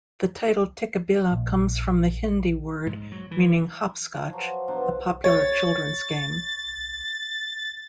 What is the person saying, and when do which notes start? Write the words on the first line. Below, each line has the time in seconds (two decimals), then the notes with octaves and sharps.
The title "Tikkabilla" comes from the Hindi word meaning "Hopscotch", a popular children's game.
1.32 A#1
2.87 G#2
3.12 F#3
3.31 E3
4.30 F3 F#3
4.68 B2 F#3 D4 C5
5.24 C#5 A6